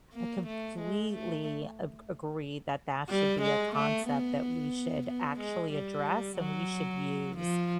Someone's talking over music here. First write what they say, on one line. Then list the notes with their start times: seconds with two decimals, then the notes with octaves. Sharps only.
I completely a agree that that should be a concept that we should actually address and we should use
0.13 A#3
0.46 A3
0.79 G#3
1.12 A3
3.09 G3
3.42 G#3
3.75 A3
4.08 B3
5.07 B3
5.39 G#3
5.73 G3
6.38 F#3
7.37 F3